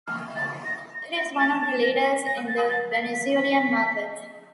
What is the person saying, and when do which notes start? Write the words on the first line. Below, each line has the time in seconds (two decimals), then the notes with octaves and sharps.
It is one of the leaders in the Venezuelan market.
0.07 F6
0.36 A6
0.65 A#6
0.94 A#6
1.17 A#6
1.39 A6
1.61 A6
1.82 A#6
2.04 B6
2.26 A#6
2.48 A6
2.70 A6
2.92 B6
3.13 B6
3.35 B6